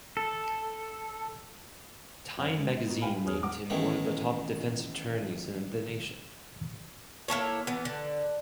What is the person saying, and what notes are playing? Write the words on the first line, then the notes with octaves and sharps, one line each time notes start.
Time magazine named him one of the top defense attorneys in the nation.
A4
F#2 C4 F#5
G#3
B3 D#4 F#4
F4 B4 F5 G5 G#5 B5
E1 G#4 C#5 D#6 F6
F#5 D6
D#3 E3 A3 B3 C#4
A#3 E4 A4 C#5
E3 B3
D3